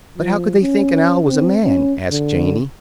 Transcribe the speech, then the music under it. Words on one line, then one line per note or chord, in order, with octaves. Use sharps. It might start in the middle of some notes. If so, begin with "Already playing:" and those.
"But how could they think an owl was a man?" asked Janey.
F3
C#4
C4
C#4
D3